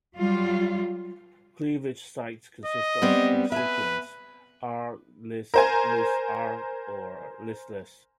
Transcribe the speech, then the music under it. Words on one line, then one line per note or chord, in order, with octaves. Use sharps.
Cleavage sites consist of the sequences Arg-Lys, Lys-Arg, or Lys-Lys.
F#3 G3 F4
D#5
G3 B3 C4
B4 E5 G#5
A#4 C5 G#5